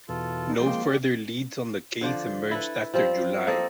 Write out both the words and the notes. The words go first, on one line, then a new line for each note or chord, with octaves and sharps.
No further leads on the case emerged after July.
E2 B2 F4 A4
D#4
F3 G#3 A#3 G5 C6
G4 D5
D3 F3 C5 D5
E4 A4 B4
F3 G3 C4
A#3 C4 A4 D#5